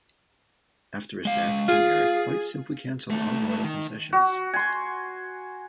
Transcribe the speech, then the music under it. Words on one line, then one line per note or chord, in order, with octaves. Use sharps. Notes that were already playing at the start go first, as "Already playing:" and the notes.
After his death King Eric quite simply cancelled all royal concessions.
G#3 F5
F4 G#4
D#2 A3
D#3
F#4
G#5 C6